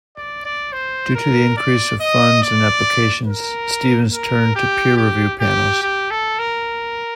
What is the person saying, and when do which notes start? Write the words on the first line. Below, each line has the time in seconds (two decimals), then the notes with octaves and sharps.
Due to the increase of funds and applications Stevens turned to peer review panels.
0.17 D5
0.45 D5
0.72 C5
1.15 A#4
1.57 D5
2.00 D#5
2.43 D5
3.27 A#4
4.13 A#4
4.56 G4
4.97 G4
5.40 G4
5.82 G4
6.11 A4
6.39 A#4